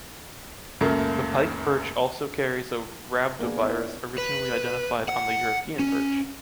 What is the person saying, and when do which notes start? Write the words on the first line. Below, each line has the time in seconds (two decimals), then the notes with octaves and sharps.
The pike perch also carries a rhabdovirus originally identified on the European perch.
0.81 C#2 F#2 A3 A#3
3.39 A#3 B3 D4 G#4
3.62 B3 D4 E4 C#5 D5
4.18 B4
5.08 F#5
5.79 C#4